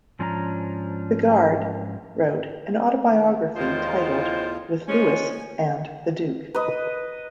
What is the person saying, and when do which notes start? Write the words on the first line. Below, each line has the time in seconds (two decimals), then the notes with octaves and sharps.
Bigard wrote an autobiography entitled "With Louis and The Duke".
0.19 G#2 F3 C#4 D4 A5 A#5
3.07 D#3
3.55 E2 A2 D#3 F4 C5
4.87 F3 G#3 C#4 G#5
5.29 G#5
6.55 B4 D#5